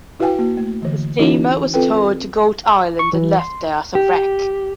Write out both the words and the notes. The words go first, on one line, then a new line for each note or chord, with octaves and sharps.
The steamer was towed to Goat Island and left there as a wreck.
E4 F#4 B4 F5 G5 G#5
A#3 F#4
A3
D3 E3
E3 C#4 D#4 E4 F#4 C#5
C4 F4 A4 B4 G5
C#6
E3
C6
G4